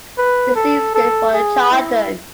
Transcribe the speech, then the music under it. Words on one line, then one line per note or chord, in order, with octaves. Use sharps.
The C stood for Chardon.
B4
A4
A4
G#4
E4